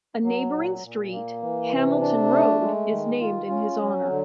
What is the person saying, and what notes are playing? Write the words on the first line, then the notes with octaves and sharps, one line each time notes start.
A neighbouring street, Hamilton Road, is named in his honour.
F#3
A#2
A#2
A#3
E3
C3
D4
A3
G#3
D#3
F4
C#4
F#3
D3